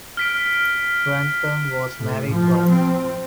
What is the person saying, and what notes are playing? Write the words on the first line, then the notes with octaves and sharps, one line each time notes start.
Grantham was married twice.
F6 B6 D7
A2
F3
C4